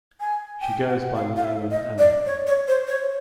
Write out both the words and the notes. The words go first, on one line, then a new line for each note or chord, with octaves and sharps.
She goes by the name of Anna.
G#5
G5
F#5
F5
F5
E5
D#5
D5
C#5
C#5
C5
C#5